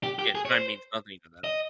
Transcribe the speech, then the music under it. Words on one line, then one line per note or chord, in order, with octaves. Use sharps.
yeah, time means nothing to them.
G4
G4
G#4
C#5
C5
D#5